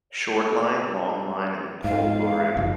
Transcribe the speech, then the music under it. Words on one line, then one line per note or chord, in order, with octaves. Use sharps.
Short line, long line and pole luring.
G#2 F5
F#1 G#2 F3